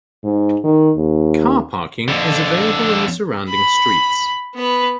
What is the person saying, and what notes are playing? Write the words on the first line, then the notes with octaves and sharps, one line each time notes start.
Car parking is available in the surrounding streets.
G#2
D#3
D#2
F2 D3
B5
B3 B4